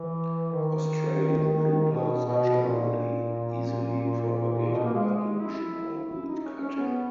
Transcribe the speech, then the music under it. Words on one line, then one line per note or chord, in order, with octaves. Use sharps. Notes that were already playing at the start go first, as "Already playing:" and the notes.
Australian bluebells are generally easily propagated by division or root cutting.
Already playing: E3
D#3
B2
B2
A#2
B2
A#3
G#3
G#3
E4
E4
D#4
C#4
C#4
B3